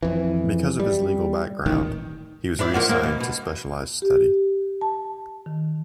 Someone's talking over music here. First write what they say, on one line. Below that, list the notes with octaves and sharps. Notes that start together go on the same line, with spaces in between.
Because of his legal background he was reassigned to specialized study.
F2 E3
G3
D#1 A1 D#3
D4 E4 D5
F3 A#3 F#4
A#3
B2
B2
G4
A5
D#3